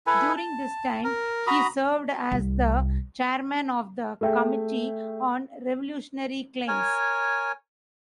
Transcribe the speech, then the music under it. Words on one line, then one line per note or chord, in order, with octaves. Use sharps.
During this time, he served as the Chairman of the Committee on Revolutionary Claims.
E4 A4 B4 G#5
A5
A#4
F#4 A#5 B5 D#6
C2
A3 G#4 E5 G5
A#4 C#5 G#5